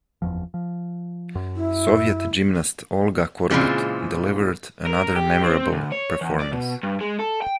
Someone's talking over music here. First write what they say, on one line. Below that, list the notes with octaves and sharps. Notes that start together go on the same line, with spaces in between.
Soviet gymnast Olga Korbut delivered another memorable performance.
F#1 E2 F3
F3
F#2
E4
A#2 C#3 E3 G#3 C4 F4
A#4
G4
C4
D2
C#5
E2
D5
B2
G2
G#3
A4
G5